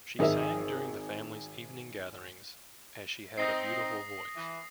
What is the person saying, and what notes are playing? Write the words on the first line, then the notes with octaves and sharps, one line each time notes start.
She sang during the family's evening gatherings, as she had a beautiful voice.
G#1 D#4 G#4 A#4 E5
C4 D#4 D#6 A#6 C7
E3